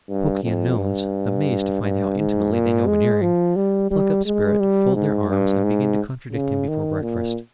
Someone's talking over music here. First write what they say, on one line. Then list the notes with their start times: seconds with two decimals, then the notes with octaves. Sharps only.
Pokey unknowns, amazed to find how intimately they know Veneering, pluck up spirit, fold their arms, and begin to contradict him before breakfast.
0.09 G2
0.43 F2
0.78 G2
1.83 G2
2.17 G#2
2.52 A#2
2.87 G#3
3.22 F3
3.56 G3
3.91 G3
4.26 G#3
4.60 G3
4.95 G#2
5.30 G2
5.63 G#2
6.33 C#3
6.68 D#3
7.02 A#2